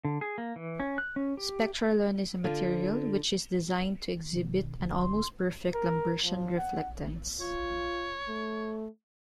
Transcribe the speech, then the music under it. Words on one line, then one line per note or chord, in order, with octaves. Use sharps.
Spectralon is a material which is designed to exhibit an almost perfect Lambertian reflectance.
D3
G#4
A#3
E3
C#4
F#6
C#4
G4
D3 F4
B2 D#3
E1 B1 D3
C6
A#4
F3
F#5
F4 C#5
A3